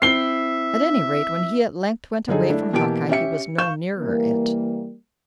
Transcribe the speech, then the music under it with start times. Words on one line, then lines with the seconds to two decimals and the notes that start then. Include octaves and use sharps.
At any rate when he at length went away from Hawkeye he was no nearer it.
0.02 C4 E4 E5 C7 G7
2.28 D3 F#3 D#4 G#4 A4
2.50 A3 D4 E4
2.73 B2 E3 A#3 G4 A5 D7
3.09 C#4 G4 E5 C#7
3.58 F5 C#6 G6 E7
3.99 E3 G3 A#3